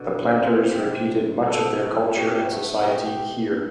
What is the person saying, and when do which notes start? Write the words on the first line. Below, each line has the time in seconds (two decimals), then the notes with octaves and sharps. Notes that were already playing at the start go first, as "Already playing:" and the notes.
The planters repeated much of their culture and society here.
Already playing: B2 D3
0.40 C3 F4
0.52 C3
0.64 C3
0.75 C3 G4
1.46 B2 A4
1.64 C3
1.81 B2
1.89 A2
2.05 A2
2.16 B2 G4
2.25 C3
2.34 A3
2.43 B3
2.52 A3
2.86 B2 G4